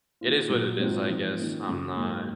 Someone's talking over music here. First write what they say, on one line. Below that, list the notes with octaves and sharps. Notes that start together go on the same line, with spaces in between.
it is what it is, I guess, I'm not
D#3 A#3 F4
A#2 F#3 A#3 F4
G#2 F#3 C4 F4
G#2 F3 C4 F4
D#3 A#3 C#4 F4
F#2 C#3 F#3
G#2 F#3 A#3 C#4